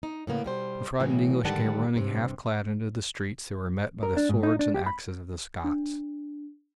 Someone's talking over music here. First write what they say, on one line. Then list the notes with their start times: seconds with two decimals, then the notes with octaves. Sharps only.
As the frightened English came running half clad into the streets they were met by the swords and axes of the Scots.
0.03 D#4
0.27 A2 C#3 A#3 B3
0.44 B2 G3 C5
1.00 A2 C#3 E3 F#3
1.44 G#2 D3 D#3 G3 F#5 A5
1.95 G2 C3
4.03 A#4
4.17 D4
4.29 G#2
4.43 D#4
4.59 D4
4.74 G4
4.86 B5
5.64 D4